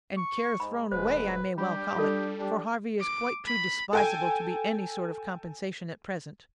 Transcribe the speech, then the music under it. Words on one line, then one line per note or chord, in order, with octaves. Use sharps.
"And care thrown away I may well call it; for Harvey is quite too despisable to be any sort of compensation at present."
C#6
G#2 B5
D#1 C#2 D3 G#3 B4 C5
G3 D4 G4 B5
D4 F4 A4
D4 G4
D6
B5
A4 G5 G#5